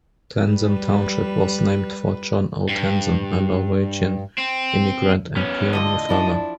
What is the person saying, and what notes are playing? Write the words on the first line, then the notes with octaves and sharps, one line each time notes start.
Tansem Township was named for John O. Tansem, a Norwegian immigrant and pioneer farmer.
G3 B4
G2
C4
B3 C#4
A2 D3 F4 D#5
F3 D4 E4